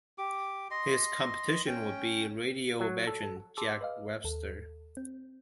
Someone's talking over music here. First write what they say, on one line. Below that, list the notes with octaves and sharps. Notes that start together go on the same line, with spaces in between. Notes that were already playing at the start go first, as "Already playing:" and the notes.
His competition would be radio veteran Jack Webster.
G4 D6
D#5 C6
C#4 G5
F#3
A4
G#4 A5 C6 D6 E6
B4 D#5 F5
D#2 A4
C4